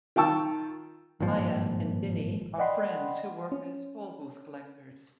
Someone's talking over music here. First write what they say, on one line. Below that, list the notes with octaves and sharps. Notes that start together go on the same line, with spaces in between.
Maya and Dini are friends who work as tollbooth collectors.
D#3 F4 G5 A5 C#6 E6
G#1 G2 A#2 F3
D5 D#5 F#5 G5 B5 C6
C#4